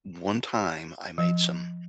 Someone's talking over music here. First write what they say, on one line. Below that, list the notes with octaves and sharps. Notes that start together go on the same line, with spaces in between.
one time, I made some
F3